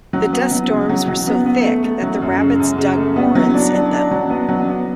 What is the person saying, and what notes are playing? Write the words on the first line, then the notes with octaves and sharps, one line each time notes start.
The dust storms were so thick that the rabbits dug warrens in them.
F#3
B3
F#3
C#3
F#3
F#3
B3
B3
A3
A3
F#3
F#2
C#3
F#2
C#3
A3
B3
F#3
D4
D4
D4
F#3
B3
F#3
B3